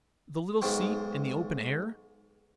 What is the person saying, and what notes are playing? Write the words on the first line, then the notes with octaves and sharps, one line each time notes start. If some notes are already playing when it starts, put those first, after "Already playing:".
The little seat in the open air?
B1 G#2 D#4 C5 G5 C#6